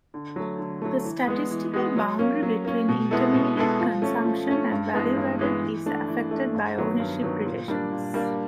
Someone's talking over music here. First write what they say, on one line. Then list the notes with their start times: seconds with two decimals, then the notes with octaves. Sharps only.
The statistical boundary between intermediate consumption and value added is affected by ownership relations.
0.14 D3
0.36 F#3 A3
0.59 D3
0.82 F#3 A3
1.04 E3
1.27 G#3 B3
1.51 E3
1.74 G#3 B3
1.96 F#3
2.19 A#3 C#4
2.42 F#3
2.65 A#3 C#4
2.89 B2
3.11 G#3 B3 E4 A4
3.34 B2
3.57 G#3 B3 E4 A4
3.80 F3
4.02 A3 C#4
4.25 F3
4.48 A3 C#4
4.72 G2
4.94 E3 G#3 B3
5.16 G2
5.39 E3 G#3 B3
5.62 E3
5.86 A3 D4
6.08 E3
6.31 A3 D4
6.55 G2
6.77 D#3 F#3 B3
7.00 G2
7.23 D#3 F#3 B3
7.46 A#2
7.68 G3 A#3 D4
7.92 A#2
8.14 G3 A#3 D4